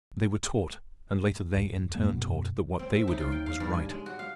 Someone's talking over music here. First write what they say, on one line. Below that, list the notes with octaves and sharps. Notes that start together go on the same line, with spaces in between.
They were taught, and later they in turn taught, that what they were doing was right.
D#2 A2
F2 G3 A#3
F#2 B2
C4
E5
D#4
F4
G5
F5
G2
G#5
G#3
F#4
F5